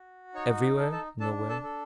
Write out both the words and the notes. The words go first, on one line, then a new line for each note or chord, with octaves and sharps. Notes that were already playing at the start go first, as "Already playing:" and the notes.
"Everywhere; nowhere."
Already playing: F#4
D#4 C#5 C#6
A4
A4 A5
D4 A4 A5
A4 A5
A4